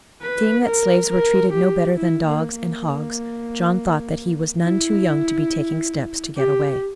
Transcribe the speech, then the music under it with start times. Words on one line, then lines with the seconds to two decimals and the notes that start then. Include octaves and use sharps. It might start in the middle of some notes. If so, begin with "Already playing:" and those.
Seeing that slaves were treated no better than dogs and hogs, John thought that he was none too young to be taking steps to get away.
0.22 B4
0.65 A#4
1.10 A#4
1.53 G4
1.97 E4
2.26 A#3
2.55 A#3
4.61 E4
6.37 G4